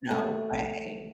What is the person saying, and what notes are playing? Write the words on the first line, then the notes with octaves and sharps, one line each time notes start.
No way.
A3